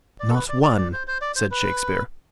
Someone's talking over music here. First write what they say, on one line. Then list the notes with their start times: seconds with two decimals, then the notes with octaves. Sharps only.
"Not one," said Shakespeare.
0.20 D5
0.30 A4
0.34 B4
0.49 D5
0.63 D5
0.78 D5
0.93 C5
1.08 C5
1.21 D5
1.36 C5
1.51 B4